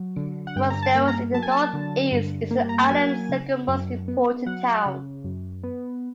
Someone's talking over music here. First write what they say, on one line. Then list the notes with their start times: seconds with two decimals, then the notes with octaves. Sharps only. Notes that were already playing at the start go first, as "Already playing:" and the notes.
Mosteiros in the north-east is the island's second most important town.
Already playing: F#3
0.16 D3
0.47 F#5
0.56 G2 G5
0.70 A#5
0.83 A5
0.95 A#3
1.08 A#5
1.34 F#3 A5
1.43 G#5
1.51 A5
1.73 D3
2.12 G2
2.51 A#3
2.69 A#5
2.79 A5
2.90 F#3 G#5
3.29 C#3
3.68 F#2
4.08 B3
4.46 F#3 F#5
4.86 C#3
5.24 F#2
5.63 B3